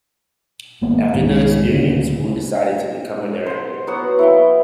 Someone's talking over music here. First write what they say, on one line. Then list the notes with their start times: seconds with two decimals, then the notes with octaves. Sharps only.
After the experience, Wu decided to become a director.
0.81 G#1 A#3 B3
1.13 C2 G#2 D#3
1.61 D2 A#2 C#3
3.46 C5 F#5
3.87 F#3 B3 F#4 F#5
4.19 E4 F5 G5